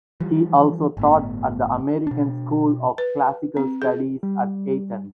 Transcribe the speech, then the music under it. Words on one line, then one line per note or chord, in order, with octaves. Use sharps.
He also taught at the American School of Classical Studies at Athens.
E3 F3 G3
G1 A2 B3
B2 D4
B4
C4
G#4
G3